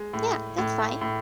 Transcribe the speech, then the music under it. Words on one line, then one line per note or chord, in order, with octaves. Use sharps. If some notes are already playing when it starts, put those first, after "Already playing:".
Yeah, that's fine.
Already playing: G#3
A2
A2
A2